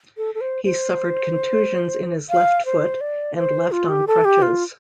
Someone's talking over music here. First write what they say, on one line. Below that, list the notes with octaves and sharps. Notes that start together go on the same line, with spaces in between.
He suffered contusions in his left foot, and left on crutches.
A4
A4
C5
C5
F5
C5
D5
C5
F4
G4
A4
G4
F4